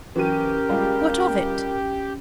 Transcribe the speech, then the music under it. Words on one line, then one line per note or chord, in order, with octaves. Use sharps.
What of it?'
E3 F#3 C#4 G4 A#4 D#7
G3 G#3 F4